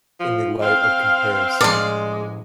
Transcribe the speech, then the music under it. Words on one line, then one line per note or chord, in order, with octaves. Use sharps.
in the light of comparison,
F3
C4 F5
A2 F3 G#3 D5 C6